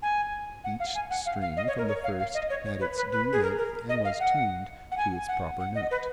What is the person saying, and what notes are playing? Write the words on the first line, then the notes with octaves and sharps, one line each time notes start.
Each string from the first had its due length and was tuned to its proper note.
G#5
F#5
F5
G#5
F#5
F5
F5
D#5
C#5
A#4
C#5
F5
F5
D#5
C#5
C#5
B4
B4
B4
G#4
A#4
A#4
D#5
F5
F#5
F#5
G#5
F#5
F#5
D#5
B4